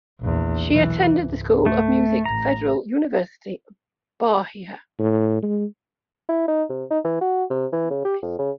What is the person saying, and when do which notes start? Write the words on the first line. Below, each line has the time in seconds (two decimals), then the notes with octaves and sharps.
She attended the School of Music Federal University of Bahia.
0.21 A#1 E2
0.68 B1 E3
1.17 C#2 G#2
1.66 A3
2.25 A1 A#5
4.99 A2
5.42 G#3
6.29 E4
6.48 D#4
6.70 C3
6.91 D#4
7.05 E3
7.21 F#4
7.50 C3
7.72 E3
7.90 C#3
8.05 G4
8.22 F2
8.39 C#3